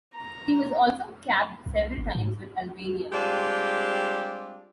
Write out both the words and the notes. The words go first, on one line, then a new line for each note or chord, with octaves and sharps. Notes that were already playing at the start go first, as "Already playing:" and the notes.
He was also capped several times with Albania.
A#5
C2
G1
G#2
G3 G#3 C4 D4 F4 G4